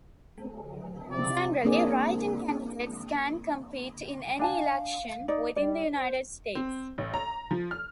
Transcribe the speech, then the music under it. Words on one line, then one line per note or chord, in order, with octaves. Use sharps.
Generally, write-in candidates can compete in any election within the United States.
C3 D5
A#3 C4 D4 G#4 D5
D4 F5 G#5 A5
D#4 D5
G3 D5
C5
C4
A1
A#5
F3
F6